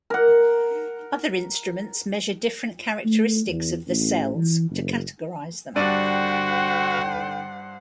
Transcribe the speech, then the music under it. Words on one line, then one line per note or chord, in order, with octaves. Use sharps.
Other instruments measure different characteristics of the cells to categorize them.
A#4 F#5
A3
E2
A1
E3
F#1
G2 D3 F#4 C5 D5 F#5 G5 D#7